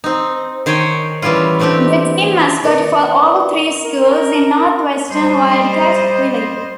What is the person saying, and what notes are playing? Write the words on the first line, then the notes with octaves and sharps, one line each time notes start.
The team mascot for all three schools is the Northwestern Wildcat, Willie.
C4 D#4
D#3 C5 C#5 G5 G#5
E3 G3 C#4 E4 F4
E3 A3 C4 D4 G4
A#4 B4 C#5 D5
A#4
G3 C5 D#5